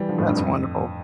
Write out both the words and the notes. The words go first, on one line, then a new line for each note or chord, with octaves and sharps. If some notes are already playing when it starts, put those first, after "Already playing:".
That's wonderful.
Already playing: E3 G3
D3 F3
F2 A2
G2
F2